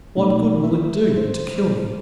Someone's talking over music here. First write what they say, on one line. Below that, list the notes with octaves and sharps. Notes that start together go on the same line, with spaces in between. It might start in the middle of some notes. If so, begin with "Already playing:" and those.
What good will it do you to kill me?
B2 F#3 A3 C#4 D#4
E5
C5